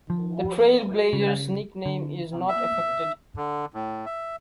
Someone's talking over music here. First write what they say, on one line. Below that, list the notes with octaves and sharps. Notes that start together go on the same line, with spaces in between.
The Trailblazers nickname is not affected.
F3
C#3
D3
E5
D3
A2
E5